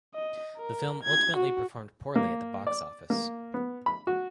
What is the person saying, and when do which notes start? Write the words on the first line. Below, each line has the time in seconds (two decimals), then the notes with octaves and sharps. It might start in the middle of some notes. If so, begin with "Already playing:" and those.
The film ultimately performed poorly at the box office.
0.15 D#5
0.57 A#4
1.03 G#6
1.37 F#4
2.16 A#3
2.67 D5
3.10 A#3
3.54 B3
3.86 B5
4.07 F#4